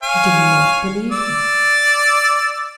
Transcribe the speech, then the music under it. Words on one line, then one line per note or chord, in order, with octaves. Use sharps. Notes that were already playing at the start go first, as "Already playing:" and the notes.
He did not believe her.
C#5 F5 G#5
D5 E6